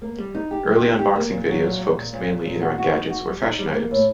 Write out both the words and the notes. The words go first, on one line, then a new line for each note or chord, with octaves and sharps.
Early unboxing videos focused mainly either on gadgets or fashion items.
A#3
G3
D#4
G4
G4
D#4
G4
A#3
A#2
F#3
A#2
A#2
A#2
A#2
A#2
A#2
F#4
F#4
D#4
F#4
G3
D#4
G3
A#3
A2